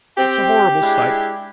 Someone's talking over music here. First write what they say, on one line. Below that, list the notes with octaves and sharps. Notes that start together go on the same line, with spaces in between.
It's a horrible sight.
C4 G4 G5
G#3 D4 E4